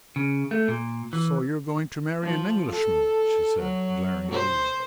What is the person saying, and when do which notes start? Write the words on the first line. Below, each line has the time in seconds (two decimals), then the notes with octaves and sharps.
"So you're going to marry an Englishman," she said, glaring at Eve.
0.16 C#3
0.51 A3
0.68 A#2
1.13 E3
2.23 F3
2.72 A4
3.59 F#3
4.31 C5